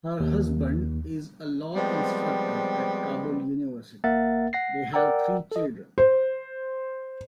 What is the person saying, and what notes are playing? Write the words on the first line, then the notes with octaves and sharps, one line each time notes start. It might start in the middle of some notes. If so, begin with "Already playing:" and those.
Her husband is a law instructor at Kabul University; they have three children.
D#2
F3 G3 G#3 B3 C4
G#1 A#3 A#4 E5 F#5 A6
F#5 A#6 C7
A#4 D5 F#5 G5 A#5 E6
A4 D#5
C5